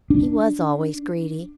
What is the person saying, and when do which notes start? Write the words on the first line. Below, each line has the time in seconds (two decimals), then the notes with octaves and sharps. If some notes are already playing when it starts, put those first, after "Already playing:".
He was always greedy.
0.10 D4